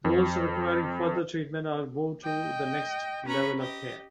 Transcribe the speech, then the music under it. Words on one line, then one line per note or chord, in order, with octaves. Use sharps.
Those requiring further treatment are moved to the next level of care.
F2
D#5 G5
C#4 B4 A#5 B5 C#6
G4 D#5